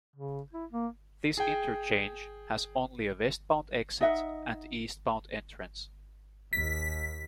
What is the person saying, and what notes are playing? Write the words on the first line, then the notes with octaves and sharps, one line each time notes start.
This interchange has only a westbound exit and eastbound entrance.
C#3
E4
A#3
G#4 G5
D#4 D#5 E5 F#5
D#2 B6